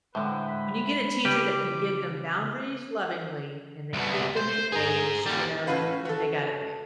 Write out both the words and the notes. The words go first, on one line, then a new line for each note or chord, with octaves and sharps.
when you get a teacher that can give them boundaries lovingly and then keep them engaged, you know, you then they got it made.
A2 D3 G#3 B4 C5
B5
C#3 G3 E4 G4 B4 D6
C2 B2
C5
G#4 A#5
D#2 G3
A2 C#4 F#4 B4 F5
F#4 A4